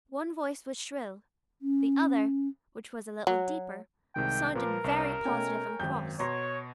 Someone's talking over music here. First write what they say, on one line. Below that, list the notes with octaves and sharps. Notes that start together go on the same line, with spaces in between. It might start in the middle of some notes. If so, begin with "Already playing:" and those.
One voice was shrill; the other, which was a little deeper, sounded very positive and cross.
C#4
F#3
C2 C3 D#3 G#3 G5
A#2 F3 A#4 B4 D6
C2 C#4 E7
B2 A3 C#4 C#5 G5 G#5
G#1 F#2 G5 G6
B2 C#5 A#5 C6 A#6